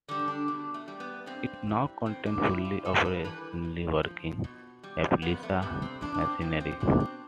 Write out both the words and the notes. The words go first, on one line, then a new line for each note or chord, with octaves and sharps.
It now contains fully operational, working replica machinery.
D3 G3 D4
D4
B2
A3
G3
B3
G2 C4
E3 G3
A2 C4
D4
G3 E4
F4
G2 A4
B4
E3 G3 B4
A2
F3
B2
G3
F2 B3
A3
C3 G3 B3
C4
E2 D4
D4
C4
C3 F3 C4
C4
B2 D4
C4